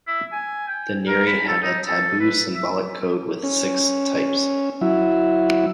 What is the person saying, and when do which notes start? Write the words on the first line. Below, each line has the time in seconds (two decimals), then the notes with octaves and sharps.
The Nri had a taboo symbolic code with six types.
0.07 E4
0.32 G#5
0.68 G5
1.07 A#4
1.27 B5
1.48 A4
1.62 D#4
1.87 A4
2.20 B4
2.54 E5
3.43 C#4
4.81 F#3 E4